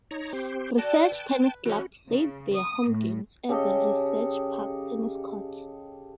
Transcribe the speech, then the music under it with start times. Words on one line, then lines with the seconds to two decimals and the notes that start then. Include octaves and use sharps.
Research Tennis Club play their home games at the Research Park Tennis Courts.
0.11 D#4 C#5 A#5
0.33 C4 G4 C5
0.78 F#4 A4 D5 G5 A5
1.12 B4
1.66 E3 F3 C#4 F#4
2.08 C#3
2.54 D#6
2.88 A2
3.49 C#3 G4 A4 D#5